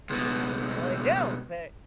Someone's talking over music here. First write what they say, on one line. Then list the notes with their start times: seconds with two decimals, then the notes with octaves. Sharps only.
"Well, I don't," but
0.10 C#2 B2